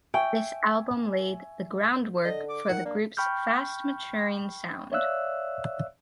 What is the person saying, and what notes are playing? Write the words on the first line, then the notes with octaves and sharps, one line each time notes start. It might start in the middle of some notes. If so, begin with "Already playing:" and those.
This album laid the groundwork for the group's fast maturing sound.
E5 G5 G#5 C#6
D3 D#5
D6
D#3 F#5
A#3 D4
G5 B5 C#6 F6 G6
C#5 D5 E5 F5 E6 F#6